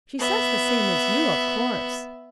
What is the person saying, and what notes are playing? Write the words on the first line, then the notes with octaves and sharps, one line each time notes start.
"She says the same as you, of course."
B3 E5